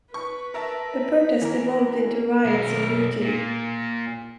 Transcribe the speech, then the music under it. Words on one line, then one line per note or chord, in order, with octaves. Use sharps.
The protest evolved into riots and looting.
B4 C#6
A#4 E5 A5
E3 A#4
B1 A#4
A#2